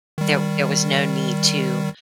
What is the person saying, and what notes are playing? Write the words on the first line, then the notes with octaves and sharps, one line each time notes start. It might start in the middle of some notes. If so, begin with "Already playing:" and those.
There there was no need to
D#3 G3